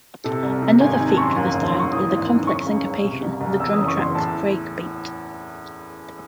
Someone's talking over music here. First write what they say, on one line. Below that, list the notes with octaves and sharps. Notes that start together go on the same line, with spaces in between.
Another feature of the style is the complex syncopation of the drum tracks' breakbeat.
C3 A4
C2
C3
G#1 G#5
G#5
D#3
A5
F#2 C6 C#6
D#2
E1
C6
D#2
C#6
E3 D#6
G#1
F#2
C#3 C#6
C#2
C#2
C3
C2
C2
E2 E6
D#6
F#1
C#6
E2 C6
A2 A5
E3